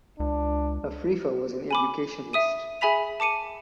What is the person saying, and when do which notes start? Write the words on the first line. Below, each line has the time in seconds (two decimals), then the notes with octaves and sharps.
Afrifa was an educationist.
0.20 C#2 D4
1.71 G#5 B5 D6
2.33 E5 D#6 D#7
2.81 G#4 E5 G#5 B5 B6 F7
3.20 A5 D6 C#7 D#7